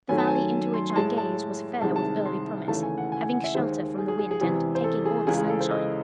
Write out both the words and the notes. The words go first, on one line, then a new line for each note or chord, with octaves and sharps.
The valley into which I gazed was fair with early promise, having shelter from the wind and taking all the sunshine.
F#2 D#3 F#3 A3 G#5
A5
G#5
C6
C6
A2 G#3 A5
A5
C2 C3 D#3 G#3 A5
A5
C6
D#2 C#3 E3 A3 A5
G#5
F#5
G#5
G#5
F#5
E5
D#2 D#3 G#3 C5
G#4
G#4
G#4
G#4
E2 C3 E3 G#3 G#4
C5
A4
G#4
C#2 C#3 E3 G#4
G#4
A4
C5
D#5